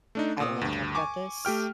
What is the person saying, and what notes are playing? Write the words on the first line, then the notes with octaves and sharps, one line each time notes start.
“I don't wanna talk about this,”
A3 D4 D#4
A#2 D#6
D2 G2
G#5 C#6 D6
A3 G4 G5 F6